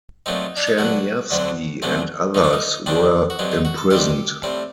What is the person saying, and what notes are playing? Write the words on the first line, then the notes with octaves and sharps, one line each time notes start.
Czerniawski and others were imprisoned.
A#2 F#3 A3 C4 D#4
D4
D#4
G2 D3 F#3 F#4
D2 D3 F#3 C4
C2 C3 F#3 A3 C4
D#2 D3 A3 D#4
D4
D#4
D#2 D#3 G3 C4 D4
F#4
G2 F#3 C4 D#4
D#4
F#4
A4
G2 D#3 G3 C4 G4
A2 G3 C4